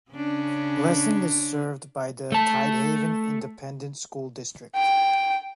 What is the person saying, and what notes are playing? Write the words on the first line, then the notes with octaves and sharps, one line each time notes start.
Blessing is served by the Tidehaven Independent School District.
C#3 C#4 D4
A3 A5
G5